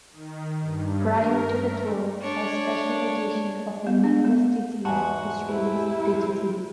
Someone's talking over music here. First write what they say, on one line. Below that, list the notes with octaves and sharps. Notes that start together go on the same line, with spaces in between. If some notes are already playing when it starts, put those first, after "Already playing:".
Prior to the tour, a special edition of "The Nameless Disease" was released digitally.
D#3
G2
A#4
A3
D4 C#5
B3
D4
B3
E2 G#2 F#4 G#5 A5
C3 E4